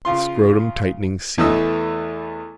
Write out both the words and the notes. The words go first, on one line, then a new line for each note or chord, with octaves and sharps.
The scrotumtightening sea.
C#3 F4 C6
E2 E3 A3 D#5 E6